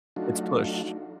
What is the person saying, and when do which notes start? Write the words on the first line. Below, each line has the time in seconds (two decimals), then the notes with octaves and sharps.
It's pushed.
0.16 F#3 A3 D4 D#4 F4 F#4